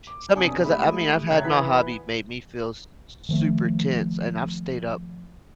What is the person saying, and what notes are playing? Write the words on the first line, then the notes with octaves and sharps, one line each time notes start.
So, I mean, 'cause, I mean, I've had my hobby made me feel s s super tense, and I've stayed up
D6
B1 C3 D4 G#5 D#6
G#3 A3 E4 G4
C#3 F#3 E5 G5 A5 F#6 G#6
E3 B3 E4 B6
D#3 F3 A3